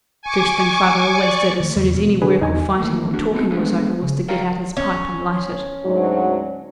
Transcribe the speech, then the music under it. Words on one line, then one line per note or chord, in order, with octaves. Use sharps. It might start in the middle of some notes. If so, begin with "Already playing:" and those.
First thing father always did as soon as any work or fighting or talking was over was to get out his pipe and light it.
G#5 C#6 D6
D5 C#6
D#3 A3
E2 C#3
B2 E3 F3
D3 G#4 B4
E2 D#4 G#5
D#2 G#2 E3 A3 A#3
A3 D4 F#4
B3 C4 D#4 F#4 A4
F3 G#3 A3 B3 D4
C#3
A#4 C#5 D5 F5 G5 A#5
C#4
D2 G#2 F#3